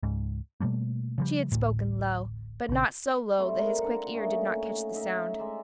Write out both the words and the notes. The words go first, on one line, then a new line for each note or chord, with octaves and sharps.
She had spoken low, but not so low that his quick ear did not catch the sound.
C#2 G#2
B2 G3 A3 A#3
C#3 F3 G3
A1 D2 A2
A#1 C#3
G3 A3 C4
D#4 A#4 F5
D4 F#5
A3 A#3 C#4 D#4
D#4 E5
G#3 D5 E5